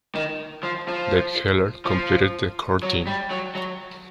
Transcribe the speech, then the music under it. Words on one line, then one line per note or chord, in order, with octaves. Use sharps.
Dave Heller completed the core team.
D#3
F3
F3
F3
F#3
G3
F#3
F#3